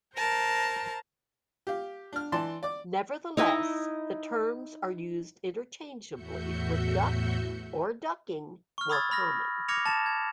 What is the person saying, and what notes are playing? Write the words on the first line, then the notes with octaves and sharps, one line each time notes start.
Nevertheless, the terms are used interchangeably with duck or ducking more common.
A#4 C5 A5 A#5
G4 F5
D4 F6
E3 D5 A5 C6
D5 D6
D#4 E4 D#5
E2 A2 F#4 E5 G6 C#7
C#6 F6
B5 C#6 D#6 E6 G#6 A6
B5 F6 A#6
D6 F6 G#6 A#6 C#7 F7
A5 A6 E7
G#6